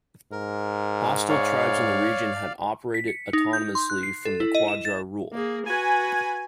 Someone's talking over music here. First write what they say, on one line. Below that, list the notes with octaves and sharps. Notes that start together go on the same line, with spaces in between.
Hostile tribes in the region had operated autonomously from the Qajar rule.
G#2 A#4
C#5 D5 F5
B6
C#7
D#4
G6
C6
F#6
C7
A4
E4
D#5
E7
A6
A#3 G#4
F#4 B4 G#5